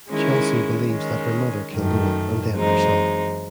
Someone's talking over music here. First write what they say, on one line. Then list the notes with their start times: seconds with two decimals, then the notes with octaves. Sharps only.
Chelsea believes that her mother killed Owen and then herself.
0.09 D#3 G#3 C#4 E4
0.91 D#3 G#3 C#4
1.72 F#2 D#3 A3
2.55 F#2 E3 G#3 C4 D#4